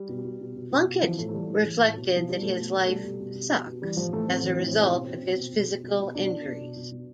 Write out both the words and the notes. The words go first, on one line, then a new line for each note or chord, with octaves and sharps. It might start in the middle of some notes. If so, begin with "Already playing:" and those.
Plunkett reflected that his life "sucks" as a result of his physical injuries.
Already playing: G3
B2
B2
B2
B2
B2
B2
E3 F3
A2 A3
A3
E3 G3
A2
E3
A2
B2
B2 F3
B2 G3
B2 A3
B2
B2
A3
B2 G3
B2
B2
B2
B2
B2
E3 G3
A2 F3
E3 A3
A2 C4
E3
A2
B2
B2
B2
B2
B2
B2
B2
B2
B2
B2 D4
B2
B2
B2
B2
B2